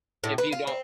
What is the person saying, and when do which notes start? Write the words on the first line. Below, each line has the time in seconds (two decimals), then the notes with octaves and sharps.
if you don't
0.24 A2
0.38 B4
0.52 F4
0.67 C4